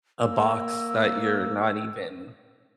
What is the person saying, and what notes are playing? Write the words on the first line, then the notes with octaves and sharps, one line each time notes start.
a box that you're not even,
A#3 E6